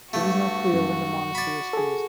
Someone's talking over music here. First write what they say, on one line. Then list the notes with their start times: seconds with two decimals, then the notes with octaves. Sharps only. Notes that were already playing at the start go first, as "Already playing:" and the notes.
It is not clear when the monastery was closed.
0.13 G2 A3 F#4
0.73 F#2
1.35 D5 B5
1.73 G#4 A4